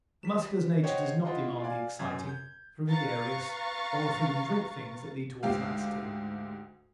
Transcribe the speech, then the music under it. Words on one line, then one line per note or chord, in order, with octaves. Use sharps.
The Muscular's nature does not demand the exciting, the gregarious or the food-and-drink things that lead toward laxity.
G3 B6 E7
F#4 C5 C#5 D#5 F#5 G5
E4 F4 D#5 F#5 C6
D5 F5 G#5
F#2 G#5 G#6
G6
B4 F5 A#5 C#6 A6
D2 G#2 G4 F5